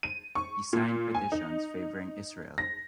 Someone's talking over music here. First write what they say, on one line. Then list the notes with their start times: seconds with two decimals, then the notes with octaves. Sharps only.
He signed petitions favoring Israel.
0.03 D#7
0.35 C#6
0.73 A#2
1.15 G#5
1.32 D#4
2.58 A#6